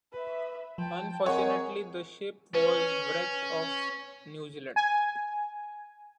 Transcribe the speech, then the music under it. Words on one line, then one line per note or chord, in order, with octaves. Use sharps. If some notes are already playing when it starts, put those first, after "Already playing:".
Unfortunately the ship was wrecked off New Zealand.
B4 E5
F3 G5 A5
C4 G#4 A#4 C#5 D#5 F#5 G#5
C#4 B4
G#5